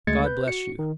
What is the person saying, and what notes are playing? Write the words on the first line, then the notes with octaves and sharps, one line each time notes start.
God bless you!
D2 G#3 A3 G#6 A6 C#7
B4 G6
F#4 C#7
D#3